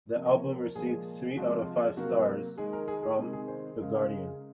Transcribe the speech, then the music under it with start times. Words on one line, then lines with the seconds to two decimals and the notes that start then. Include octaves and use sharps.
The album received three out of five stars from "The Guardian".
0.15 C3 F3 A#3
0.25 A#5
0.36 C#5
0.46 C5
0.61 A#4
0.75 A#2 F3 G#3 G#4
0.91 G#4
1.30 G#4
1.36 C3 F3 G#3 F#4
1.51 F4
1.97 C3 F#3 A#3 F#4
2.58 D#3 G#3 G#4
2.73 A#4
2.88 G#4
3.03 G#4
3.18 C3 D#3 G#3
3.33 G#4
3.48 C5
3.78 C#3 G#3 A#4
3.94 A#4
4.09 G#4